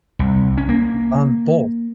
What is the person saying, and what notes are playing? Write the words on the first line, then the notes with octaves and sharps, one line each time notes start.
Um, both.
C2
C#4
A#3